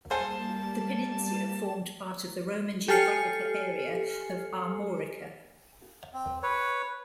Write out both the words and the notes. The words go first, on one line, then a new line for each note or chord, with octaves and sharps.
The peninsula formed part of the Roman geographical area of Armorica.
G3 A#3 G#4 C5 G#5 A5
G4 A4 G#5 F6 C7 C#7
C4
B4 C#5